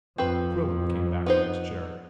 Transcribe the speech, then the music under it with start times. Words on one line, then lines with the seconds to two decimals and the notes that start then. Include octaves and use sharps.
Quillan came back to his chair.
0.18 F2 C4 B4
1.26 B3 D#4 C5